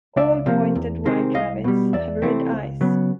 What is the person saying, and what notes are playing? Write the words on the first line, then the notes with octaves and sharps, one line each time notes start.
All pointed white rabbits have red eyes.
C#2 D5 E5
C3 F3 A#3
E2
C3 D#3 G#3 C4
C2 D#5 F5
B2 G3
E2 D5 E5
C3 E3 A3 C4
C#2
C#3 F#3 B3